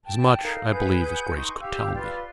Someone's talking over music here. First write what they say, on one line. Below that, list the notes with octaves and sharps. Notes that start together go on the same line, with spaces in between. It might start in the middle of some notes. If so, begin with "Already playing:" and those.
"As much, I believe, as Grace could tell me."
G5 A5
D#4 A4 A#4 F5
G#4 B4 F#5 G6
D#4 C6 C#6
G4 F5 E6
F4 B4 D5 C6